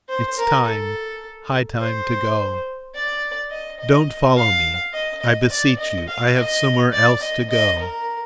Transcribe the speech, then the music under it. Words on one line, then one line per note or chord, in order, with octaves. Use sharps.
It's time, high time to go. Don't follow me, I beseech you, I have somewhere else to go....
C5
A#4
A4
C5
D5
D#5
D#5
F5
D#5
D#5
D5
D#5
F5
D#5
D5
D#5
D#5
A#4